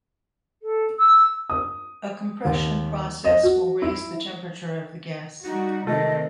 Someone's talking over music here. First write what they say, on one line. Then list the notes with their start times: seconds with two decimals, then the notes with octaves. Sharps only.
A compression process will raise the temperature of the gas.
0.62 A4
0.99 E6
1.50 D#6
2.45 D#2
3.24 D#5
3.43 F#4
3.82 E4
5.45 G3 D#4 F#4
5.87 C3 D#3 A3 C4 D#5